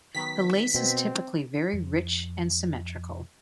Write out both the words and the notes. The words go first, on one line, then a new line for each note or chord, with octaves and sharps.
The lace is typically very rich and symmetrical.
D#3 F#3 B3 B6
B2 C4
F2 F3